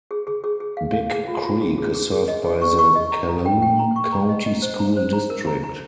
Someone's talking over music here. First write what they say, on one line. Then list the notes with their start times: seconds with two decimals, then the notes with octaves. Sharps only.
Big Creek is served by the Calhoun County School District.
0.11 G#4
0.27 G#4
0.44 G#4
0.60 G#4
0.77 F5
0.94 F5
1.11 G#4
1.28 F4
1.45 F4
1.61 G#4
1.78 G#4
1.95 G#4
2.12 G#4
2.28 D#5
2.45 G#4
2.62 C#6
2.78 C#6
2.96 D#5
3.12 A#5
3.28 A#5
3.45 G5
3.62 G5
3.79 A#5
3.96 C#6
4.12 A#5
4.29 D#5
4.46 D#5
4.62 C5
4.79 A#5
4.97 C5
5.13 A#5
5.30 A#4
5.47 A#5
5.64 A#5